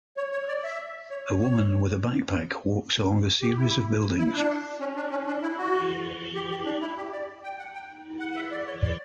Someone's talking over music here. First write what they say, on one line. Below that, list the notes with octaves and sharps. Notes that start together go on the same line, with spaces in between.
A woman with a backpack walks along a series of buildings.
C#5
C#5
D5
E5
C#5
C#5
C#5
G4
E4
E4
D4
C#4
D4
C#4
D4
E4
F#4
G4
G4
D4
E4
G4
D5
G5
F#5
G5
F#5
F#5
E5
D5
C#5
D5